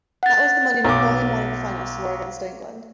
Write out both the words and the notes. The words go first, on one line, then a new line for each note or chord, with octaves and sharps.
That was the money Napoleon wanted to finance his war against England.
F#5 A6
B1 D6